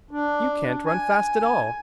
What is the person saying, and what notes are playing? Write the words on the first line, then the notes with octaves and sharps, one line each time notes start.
You can't run fast at all.
D4
G#5